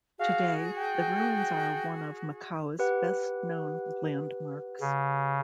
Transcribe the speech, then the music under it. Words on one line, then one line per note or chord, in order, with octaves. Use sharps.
Today, the ruins are one of Macau's best known landmarks.
F#4 G#4 F5
G5
G4 B4 F#5
C#3